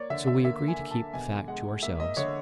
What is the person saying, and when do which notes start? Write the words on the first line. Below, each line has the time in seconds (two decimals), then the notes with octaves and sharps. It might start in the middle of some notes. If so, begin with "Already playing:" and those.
So we agree to keep the fact to ourselves.
Already playing: A#3 C#5 D5
0.10 D3 E5
0.27 E5
0.45 A#3 E5
0.68 G#5
0.79 D3
0.91 A5
1.14 B2 G#5
1.48 G#3 F#5
1.82 A#3 E5
2.00 D#5
2.17 D3 C#5